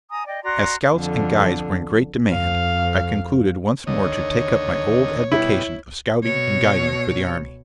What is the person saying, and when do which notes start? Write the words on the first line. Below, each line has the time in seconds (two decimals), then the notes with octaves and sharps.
As scouts and guides were in great demand, I concluded once more to take up my old avocation of scouting and guiding for the army.
0.11 G#5 A#5 D#6
0.26 D5 D#5 G5
0.44 F#4 D5 A#5 C6
0.93 F2 D3
2.32 F2 F5
3.87 D#2 D3 C#5 D#5
5.32 B2 G3 E4
6.24 B2 C#5